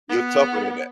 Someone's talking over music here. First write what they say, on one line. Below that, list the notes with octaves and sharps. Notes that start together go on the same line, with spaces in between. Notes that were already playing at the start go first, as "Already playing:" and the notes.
you're tougher than that.
B3